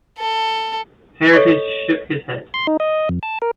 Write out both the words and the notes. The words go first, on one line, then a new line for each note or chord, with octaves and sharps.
Heritage shook his head.
A4
A4 C#5 D#5 C#6
C6
D#4
D#5
F2
A5
A#4